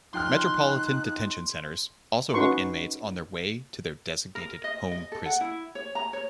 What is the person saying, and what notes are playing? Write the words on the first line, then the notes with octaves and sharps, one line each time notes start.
Metropolitan Detention Centers also hold inmates on their way to their designated 'home' prison.
F3 D#4 G5 C6 F6 F#6
C#4 D#4 F#4 B4 C6 C#6
A#4
D#5
D#5
A4
F#5
E4
C#5
A#5
C#5